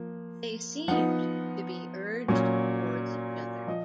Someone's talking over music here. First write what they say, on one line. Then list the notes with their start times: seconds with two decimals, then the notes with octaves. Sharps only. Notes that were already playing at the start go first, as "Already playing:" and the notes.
They seemed to be urged towards each other.
Already playing: F3 A#3
0.88 F3 B3 D#4 F#5
2.28 A#2 F#3 C#4
3.67 F3 D#5